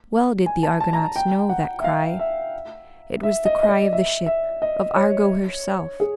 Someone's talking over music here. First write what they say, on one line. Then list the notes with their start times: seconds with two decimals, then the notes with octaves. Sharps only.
Well did the Argonauts know that cry--it was the cry of the ship, of Argo herself.
0.46 G#5
0.63 A5
0.80 A5
0.93 A#5
0.98 A5
1.16 G5
1.49 F#5
1.80 E5
1.84 F5
2.19 E5
3.23 E5
3.45 D#5
3.63 D#5
3.69 D5
3.93 E5
4.26 E5
4.62 D#5
4.96 C#5
6.00 G#4